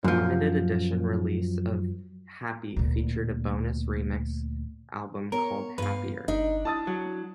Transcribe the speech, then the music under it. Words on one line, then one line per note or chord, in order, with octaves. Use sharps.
A limited edition release of "Happy" featured a bonus remix album called "Happier".
F#2 F3
D2 A#2
B3 A#4 C#5
G2 B4 F5
G1 D4 D#4
E4 A5 D#6 A6
F#3